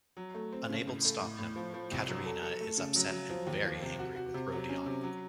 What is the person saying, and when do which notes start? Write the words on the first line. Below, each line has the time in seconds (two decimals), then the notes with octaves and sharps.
Unable to stop him, Katerina is upset and very angry with Rodion.
0.17 F#3
0.35 A3
0.53 C4
0.69 C#3
0.87 A2
1.05 A3
1.21 A2
1.39 A2
1.56 F3
1.74 F3
1.91 C2
2.09 F#3
2.26 A4
2.43 A4
2.61 A3
2.78 C#3
2.96 F#3
3.12 F#3
3.30 F3
3.47 D#2
3.65 F3
3.82 C3
3.99 F#4
4.16 F#4
4.34 C3
4.52 F#3
4.69 C#4
4.86 C3
5.03 F#3